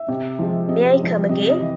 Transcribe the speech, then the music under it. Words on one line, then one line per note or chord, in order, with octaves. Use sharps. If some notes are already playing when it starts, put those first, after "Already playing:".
May I come again?
Already playing: E5
C3
F3 G#3
C3 D#5
F3 G#3
C3 D#5
D#5
E3